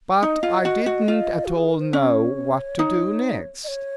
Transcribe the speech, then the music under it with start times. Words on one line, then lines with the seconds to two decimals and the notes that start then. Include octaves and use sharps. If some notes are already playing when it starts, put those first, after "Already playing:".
But I did not at all know what to do next.
0.22 D#4 D#5
0.43 F4
0.65 F#4
0.86 F#4
1.08 F4
1.45 F#4
1.56 G#4
1.68 A#4
1.81 C5
1.93 C#4 D#5
1.98 C#5
2.79 D#4
3.64 D#5
3.68 C#5